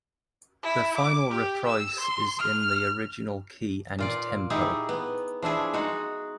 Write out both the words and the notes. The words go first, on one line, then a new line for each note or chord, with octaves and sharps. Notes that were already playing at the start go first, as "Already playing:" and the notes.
The final reprise is in the original key and tempo.
E4
D6
G4
E6
C6
F6
A#2 F4 D5
D#4 E4 G4 G#4
B3
F3 D4 E4 G#4
G#3 D#4 F#4